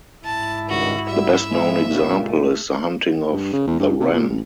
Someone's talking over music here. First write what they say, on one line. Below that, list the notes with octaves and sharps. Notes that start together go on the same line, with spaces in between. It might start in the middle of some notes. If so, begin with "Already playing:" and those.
The best known example is the hunting of the wren.
G#2 E4 A5
C#2 G2 D#3 F#4
G3 F#4 E5 E6
F3 G#3
C#2 A#2 B3 C#4
A3
G2
C#3
E2
G2
C3
A#2
A1